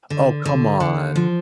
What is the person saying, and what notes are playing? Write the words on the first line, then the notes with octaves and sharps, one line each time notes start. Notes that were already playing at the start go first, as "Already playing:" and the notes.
Oh, come on.
D3
D3
D3
F3